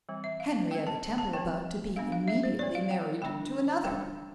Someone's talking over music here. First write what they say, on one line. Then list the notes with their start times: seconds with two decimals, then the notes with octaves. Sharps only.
Henrietta Temple about to be immediately married to another!
0.09 E3 G3 C4
0.24 E5
0.40 F5
0.71 G3 C4 G5
0.87 A5
1.18 A5
1.33 F3 C4 G5
1.96 G3 B3 D4 F5
2.12 F5
2.28 E5
2.43 C5
2.59 F3 C4 D5
2.75 F5
2.91 G5
3.22 D3 G3 D4 G5
3.84 E3 G3 D4 G5